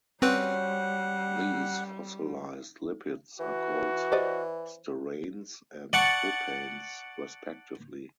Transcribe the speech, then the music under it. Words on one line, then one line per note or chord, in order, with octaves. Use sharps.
These fossilized lipids are called steranes and hopanes, respectively.
G3 C4 C#4 F#4 B4 C5 F#5
E3 F#4
G4 C5 D5 D#5
D5 F#5 A5 C#6